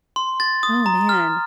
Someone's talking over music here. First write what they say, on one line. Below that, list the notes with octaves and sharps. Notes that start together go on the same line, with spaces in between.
Oh, man.
C6
A6
D#6
A#5
F6